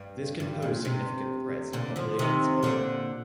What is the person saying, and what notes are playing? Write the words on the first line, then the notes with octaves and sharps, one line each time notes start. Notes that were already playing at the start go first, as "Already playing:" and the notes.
This can pose significant threats to population survival.
Already playing: G2
G2
A#2
C3
A#2 D3
D3 F3
C3 D#3
A#2 D3